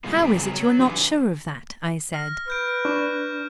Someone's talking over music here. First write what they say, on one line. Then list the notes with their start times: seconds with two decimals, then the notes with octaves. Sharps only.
"How is it you are not sure of that?" I said.
0.04 B2 G3 G#3 A#3 F4
0.19 F2 B2 G3 A#3 C4 E4
0.36 C#3 G3 B3 C4 G#4 A#4
0.54 F#3
0.79 E3 D4 G4 B4 G#5
2.14 F6 A#6
2.48 B4 F6 G6 D7
2.85 D4 C#6